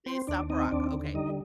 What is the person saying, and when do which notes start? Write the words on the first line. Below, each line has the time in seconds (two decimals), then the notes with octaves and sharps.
Aesop Rock, okay.
0.06 C4 C5
0.27 D#2 D4 D5
0.50 C4 D#4 D#5
0.71 D#2 D4 D5
0.94 D3
1.14 G3 D#4 D#5